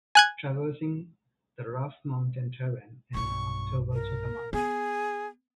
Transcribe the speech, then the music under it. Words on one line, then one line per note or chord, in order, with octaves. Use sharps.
Traversing the rough mountain terrain in October took a month.
G#5 F#6 G#6
B1 G2 C#6
A#4
B3 G#4